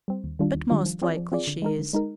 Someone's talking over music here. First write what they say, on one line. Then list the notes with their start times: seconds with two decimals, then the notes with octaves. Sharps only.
But most likely she is.
0.08 G3 C4
0.24 D#2
0.39 D#3 G3 D4 F4
0.55 D#2
0.70 D#3 G3 D4 F4
0.86 F3
1.02 C4 F4 G#4 D5
1.17 F3
1.32 C4 F4 G#4 D5
1.47 D3
1.62 G#3 D#4 A#4
1.79 D3
1.93 G#3 D#4 A#4